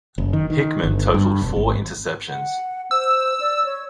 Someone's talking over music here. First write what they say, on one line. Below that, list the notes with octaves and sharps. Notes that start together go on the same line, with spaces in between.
Hickman totaled four interceptions.
F#1
D#3
D#3
G1
G2
E1
G#1
F#5
C5 E6
D5
C#5